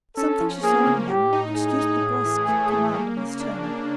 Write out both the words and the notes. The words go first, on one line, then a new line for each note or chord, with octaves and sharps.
Something she saw in them excused the brusque command of his tone.
C#4 A4
F3
A#3 G#4
C#3
A2 G4
D#4
D#4 G#4
D#4
A2
E3
A3
A3
A#3
C#3
D4
D4